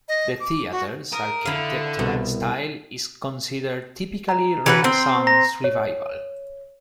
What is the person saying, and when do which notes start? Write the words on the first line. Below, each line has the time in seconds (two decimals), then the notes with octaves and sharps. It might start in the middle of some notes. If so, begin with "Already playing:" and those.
The theatre's architectural style is considered typically Renaissance Revival.
0.08 D#5
0.40 D6
0.71 F#4
1.13 A#4 D#6
1.45 D3 E4 F5
1.99 C2 B2
4.29 A#5
4.66 E3 F#4 B4
4.84 C4
5.27 A#5 A#6
5.64 C#5